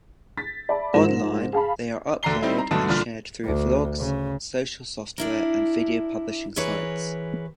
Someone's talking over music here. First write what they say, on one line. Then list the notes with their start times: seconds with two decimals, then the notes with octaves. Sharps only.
Online, they are uploaded and shared through vlogs, social software, and video publishing sites.
0.37 A6 B6
0.69 D5 E5 A5 B5
0.93 G#2 F3 G#3 A#3 A#6 E7
1.53 G#4 F5 A5 B5
2.23 D2 D3 D5 A#5 C7 G7
2.42 G3 C4 D#4 E4
2.59 A#5
2.71 B1 G2 B2 D3 A3 A5
2.89 C2 A#2 D3 F6
3.44 D2
3.99 C#3
5.18 D4 E4 A#4
6.56 E3 G#4 A#4 B4 C#5